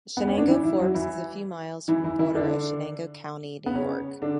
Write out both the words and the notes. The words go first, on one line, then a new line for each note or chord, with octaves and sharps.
Chenango Forks is a few miles from the border of Chenango County, New York.
B3
C#4
D4
E3 E4
E3 E4
F#3 F#4
E3 E4
E3 E4
E3 E4
E3 E4
D3 D4
B3
C#3 C#4
D3 D4